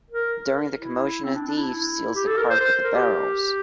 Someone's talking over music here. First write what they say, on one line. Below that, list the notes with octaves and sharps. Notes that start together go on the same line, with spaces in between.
During the commotion a thief steals the cart with the barrels.
A#4
E4
C4
D4
D4
E4
G4
A4
A#4
C5
C5
A#4
G4